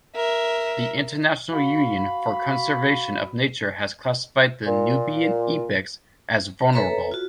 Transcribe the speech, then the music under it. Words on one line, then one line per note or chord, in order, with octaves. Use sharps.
The International Union for Conservation of Nature has classified the Nubian ibex as "vulnerable".
A#4 E5
F#4 F5 B5
A#2
A4 B4 C#5 E5 A#5
F4 F#4